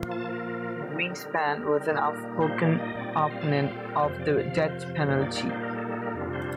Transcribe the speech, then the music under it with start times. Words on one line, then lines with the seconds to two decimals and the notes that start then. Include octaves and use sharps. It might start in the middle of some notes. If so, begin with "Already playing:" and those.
Greenspan was an outspoken opponent of the death penalty.
Already playing: A#2 F3 A#3 F4
0.11 A5
0.28 A#4
0.82 D3 G3 C4 D#4
1.89 A#2 G3 A#3 D#4
2.42 C5
2.60 D5
2.78 D#5
2.95 A#2 G3 C4 D5
3.13 D#5
3.31 F5
3.41 A5
3.49 G5
3.62 F5
3.76 A4
3.89 A#4
4.02 F2 C3 F3 C5
4.19 D5
4.37 F5
4.55 A#4
4.68 C5
4.83 C5
4.95 C5
5.08 A#2 G3 A#3 D#4 C5
5.22 D5
5.36 D5
5.49 C5
5.61 A#4
5.75 A4
5.89 A4
6.02 A#4
6.15 F2 C3 G3 D4 F4
6.33 C5